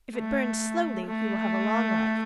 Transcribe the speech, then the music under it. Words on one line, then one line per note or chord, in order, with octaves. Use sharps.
If it burns slowly you will have a long life.
A3
A3